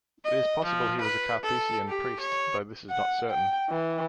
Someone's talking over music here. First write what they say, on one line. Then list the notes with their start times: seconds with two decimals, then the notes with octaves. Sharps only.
It is possible he was a Carthusian priest, though this is not certain.
0.25 D#5
0.64 F3
1.01 B4
1.43 A4
1.88 G4
2.20 C#5
2.90 F#5
3.31 G5
3.69 E3